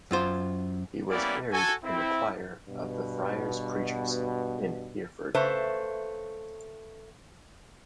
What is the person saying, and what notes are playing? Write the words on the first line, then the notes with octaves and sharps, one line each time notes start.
He was buried in the choir of the Friars Preachers, in Hereford.
F#2 F4 C5
G3 A#3 B3 C#4 E4 D5
F#4 A4 G#5
C4 E4
G2 B2
C#3 A3 B4 C5 E5 A5